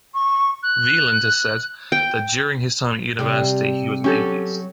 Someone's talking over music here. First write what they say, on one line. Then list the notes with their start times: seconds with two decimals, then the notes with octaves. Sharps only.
Wieland has said that during his time at university he was an atheist.
0.14 C#6
0.63 F#6
1.92 G5
3.19 C3 G3
4.04 F#3 C#4 G4 A4